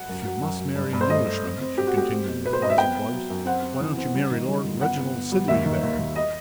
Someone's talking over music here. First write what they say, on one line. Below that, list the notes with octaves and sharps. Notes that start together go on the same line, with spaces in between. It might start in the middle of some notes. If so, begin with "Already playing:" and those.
If you must marry an Englishman," she continued with rising voice, "why don't you marry Lord Reginald Sidley there?
Already playing: F#5
F#2
F#3
F#2
F#2
G2
G2
C5
A3 D#5
A3
C4
C4
C4 G4
F#4
A3 G4
C4
B2
B2 B4
C5
C4 D#5
E5
B3 G5
B3
F#3
F#2
C4 F#5
C4
E3
C4
G3
D#3
G3
G1
B3 F#5
B3
B3
G3
D#2 E5
D#3
D#2
D#2
D#5